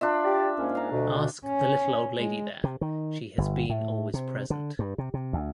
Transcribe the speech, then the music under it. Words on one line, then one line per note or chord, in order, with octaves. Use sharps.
Ask the little old lady there; she has been always present.
D4 F4 E5
G4 D5
G#2 A#3 C#4
F5 A#5
D2 B2
C#4
G#3
C3
D#3
G1
A2
C3
D3
G2
C3
C3
D2